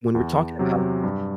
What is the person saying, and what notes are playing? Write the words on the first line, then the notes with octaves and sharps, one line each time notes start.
when we're talking about
E2
C3 F#3
G2